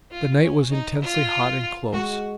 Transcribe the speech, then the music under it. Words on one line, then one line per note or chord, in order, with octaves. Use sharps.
The night was intensely hot and close.
F4
C#4
D#4
F4
G#3 F#4